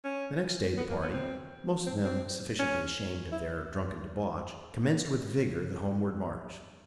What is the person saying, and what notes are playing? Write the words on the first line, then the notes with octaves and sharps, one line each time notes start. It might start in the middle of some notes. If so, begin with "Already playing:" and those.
The next day the party, most of them sufficiently ashamed of their drunken debauch, commenced with vigor the homeward march.
C#4
B3
A#3
B3
C4
C4
C4
C#4
E4